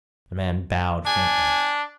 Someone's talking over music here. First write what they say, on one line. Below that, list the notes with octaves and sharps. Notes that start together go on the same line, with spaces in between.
The man bowed faintly.
D4 G#5